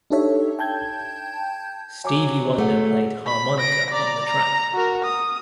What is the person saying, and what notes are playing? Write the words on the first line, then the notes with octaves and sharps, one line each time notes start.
Stevie Wonder played harmonica on the track.
D4 D#4 G4 A4 C#5 E5
G5 A5 G6 G#6
F#3 G#5 D6
A3 G#4 F#5
B5
A#6 D7
D5 A#5
A#5
F#4 A#4
D#6